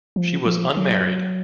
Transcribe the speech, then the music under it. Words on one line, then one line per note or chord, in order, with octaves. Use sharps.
She was unmarried.
F3
F3
F#3